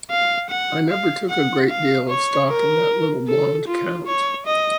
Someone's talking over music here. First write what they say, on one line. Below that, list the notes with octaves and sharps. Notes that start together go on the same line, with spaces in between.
I never took a great deal of stock in that little blond Count.
F5
F#5
F5
F#5
F5
C#5
A#4
A4
F4
C#5
D#5